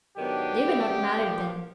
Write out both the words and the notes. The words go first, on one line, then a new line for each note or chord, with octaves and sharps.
They were not married then.
G#2 D#3 F#3 B3 D4 G4
C#3 E3 G3 B3
A#2 F3 A#3 D4